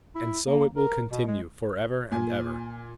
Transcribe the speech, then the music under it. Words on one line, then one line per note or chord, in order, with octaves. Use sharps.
And so it will continue for ever and ever.
E4
A#3
A#4
B2
G#3
A#2 G#5